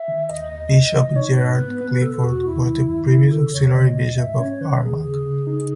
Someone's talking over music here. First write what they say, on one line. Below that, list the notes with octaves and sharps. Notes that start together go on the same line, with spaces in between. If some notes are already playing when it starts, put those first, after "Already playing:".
Bishop Gerard Clifford was the previous auxiliary bishop of armagh.
Already playing: E5
D#3
D#2 D#5
D#2
F#2 D#5
E3
D#4 C#5
G#2 B4
B3
B3
B2 A4
E2 F#4
D#2 E4
D#3
F#2
D#3
C#3 A4
E2 C#5
C#3 D#5
D#2
G#2 E5
C#4 C#5
D#3 B4
D#2 G#4
C#3 G#4
C#3
D#4